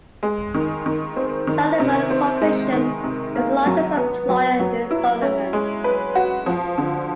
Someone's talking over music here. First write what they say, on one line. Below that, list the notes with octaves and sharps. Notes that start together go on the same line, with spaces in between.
Solomon Corporation is the largest employer in Solomon.
G#3
D#3
D#3
C4
D#3
C3
C4
G#3
D#3
C3
A#3
F#3
B3
F#3
F#3
E4
C#4
G#3
B4
F#4
F3
D3